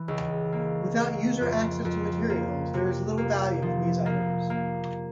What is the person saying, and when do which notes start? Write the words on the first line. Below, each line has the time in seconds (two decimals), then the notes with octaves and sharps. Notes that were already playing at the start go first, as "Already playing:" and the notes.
Without user access to materials, there is little value in these items.
Already playing: E3
0.08 C#2
0.52 A#3
0.97 A#3
1.41 F2
1.85 F2
2.30 A#3
2.74 C3
3.18 A#3
3.62 F3
4.06 A#3
4.50 A#3